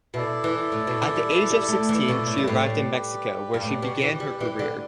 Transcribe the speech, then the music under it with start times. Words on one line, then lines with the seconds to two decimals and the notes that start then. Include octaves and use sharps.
At the age of sixteen, she arrived in Mexico, where she began her career.
0.14 B2 E4 A4 D5
0.44 E3
0.72 A2
0.87 B2
1.02 E3
1.16 G3
1.31 E3
1.50 G3
1.68 A3
1.89 E3
2.08 B2
2.27 A2
2.38 G2
2.47 A2 G4 B4 D5
3.54 G2
3.63 A2
3.82 B2
4.02 E3
4.20 G3
4.40 E3
4.59 D3